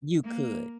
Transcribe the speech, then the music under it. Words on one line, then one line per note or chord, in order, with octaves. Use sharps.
You could.
A#3